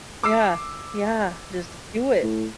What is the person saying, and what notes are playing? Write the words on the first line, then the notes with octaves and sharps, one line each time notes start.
Yeah. Yeah, just do it.
D6 E6 C7
A2